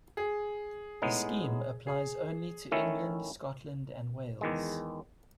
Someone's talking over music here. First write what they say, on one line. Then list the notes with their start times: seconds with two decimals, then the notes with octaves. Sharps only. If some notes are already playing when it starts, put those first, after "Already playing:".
The scheme applies only to England, Scotland and Wales.
0.17 G#4
1.02 A2 G#3 B3 D#4
1.87 G#4
2.71 D#3 A3 C#4 E4
4.41 E2 D#3 G#3